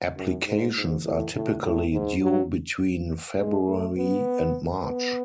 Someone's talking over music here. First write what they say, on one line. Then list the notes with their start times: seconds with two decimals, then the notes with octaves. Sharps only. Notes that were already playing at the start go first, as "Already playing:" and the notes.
Applications are typically due between February and March.
0.16 F#2
0.46 G#2
0.74 G#2
1.05 A2
1.34 A2
1.63 A2
1.92 G#2
2.21 F#3
3.38 G#3
3.67 A3
3.96 B3
4.83 B3